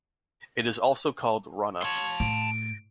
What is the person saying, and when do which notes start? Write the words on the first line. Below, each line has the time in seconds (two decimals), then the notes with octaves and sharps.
It is also called Rana.
1.83 C#5 A5 C6
2.20 A2 D7